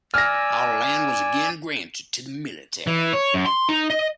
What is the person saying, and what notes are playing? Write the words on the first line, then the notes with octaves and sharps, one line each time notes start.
All land was again granted to the military.
D5 G#5 E6 F6 A#6
E3
C#5
F#2
C6
D#4
D#5